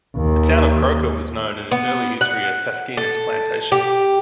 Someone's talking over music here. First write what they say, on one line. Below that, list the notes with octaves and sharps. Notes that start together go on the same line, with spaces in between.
The town of Croaker was known in its early history as Taskinas Plantation.
D#2
B3
F#5
A4
G4